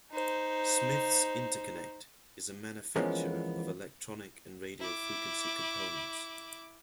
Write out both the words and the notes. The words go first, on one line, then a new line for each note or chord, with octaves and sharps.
Smiths Interconnect is a manufacturer of electronic and radio frequency components.
D#4 C5
E3 F3 G#3 A#3 B3 C#4
E4 D6